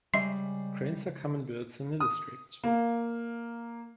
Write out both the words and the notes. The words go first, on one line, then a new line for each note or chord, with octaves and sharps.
Cranes are common birds in the district.
C#3 G3 G#3 D#5 E5 C6 C7
D#6
A#3